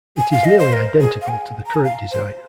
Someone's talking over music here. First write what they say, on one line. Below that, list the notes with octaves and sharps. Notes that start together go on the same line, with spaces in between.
It is nearly identical to the current design.
G#5
F5
D#5
C5
A#4
G#4
F5
G#5
A#5
G#5
F5
C5